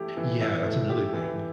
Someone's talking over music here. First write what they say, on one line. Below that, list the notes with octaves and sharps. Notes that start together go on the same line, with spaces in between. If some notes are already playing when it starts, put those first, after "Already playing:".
Yeah, that's another thing.
Already playing: E3 A3 E4 G4
E3
E4
A3
G4
E3